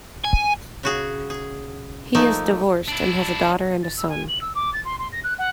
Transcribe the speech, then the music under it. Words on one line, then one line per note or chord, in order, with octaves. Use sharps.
He is divorced and has a daughter and a son.
G#5
C#3 F#4 G#4
G#4
F3 A3 A#3 D#4
D4 E4
A6
E6
G#5
F#7
E6
D6
A6
C6
C6
A#6
F#6
F#5